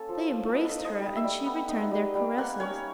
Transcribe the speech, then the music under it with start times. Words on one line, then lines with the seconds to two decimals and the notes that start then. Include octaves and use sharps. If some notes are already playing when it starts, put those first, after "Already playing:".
They embraced her and she returned their caresses.
Already playing: A#3 C#4 A4
0.09 F3
0.32 F3
0.54 B3 D#5
0.77 D#4
0.85 D#5
1.00 G3
1.16 E5
1.24 G3
1.46 B3
1.69 D#4
1.91 G3
2.15 G3
2.38 A#3 F#5
2.60 C#4 C#5